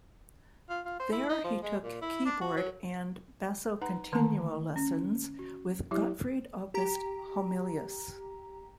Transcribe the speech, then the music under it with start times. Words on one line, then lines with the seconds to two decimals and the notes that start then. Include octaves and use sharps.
There he took keyboard and basso continuo lessons with Gottfried August Homilius.
0.69 F4
0.85 F4
1.00 C5
1.12 E4
1.29 D#4
1.44 F3
1.62 G#3
1.83 A#2
2.01 E4
2.25 D4
2.41 F#4
2.57 F#3
3.82 D#4 B4 F#5 A#5
4.12 D3 D#3 A3 A#3 A5 A#5
4.76 C#4
5.39 F#4
5.91 F#3 E4 G4 E5
6.74 G4 A#5